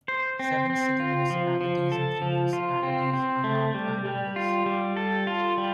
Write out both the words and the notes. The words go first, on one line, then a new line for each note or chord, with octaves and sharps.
Seven city municipalities and three municipalities are marked by numbers.
C5
C4
C4
F4
F3
F3
A4
F3
F4
C4
C4
A3
G3
G3
F4
G3
A4
F4
G3